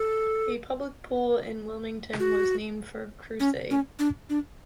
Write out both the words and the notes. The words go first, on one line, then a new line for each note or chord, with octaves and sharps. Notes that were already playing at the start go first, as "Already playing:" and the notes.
A public pool in Wilmington was named for Kruse.
Already playing: A4
F#4
C#4
C#4
D4
D4